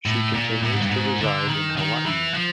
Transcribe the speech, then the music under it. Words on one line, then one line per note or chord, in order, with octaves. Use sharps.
She continues to reside in Hawaii.
A2
A#2
A2
G#2
G2
G#2
D3
D#3
D#3
E3
F3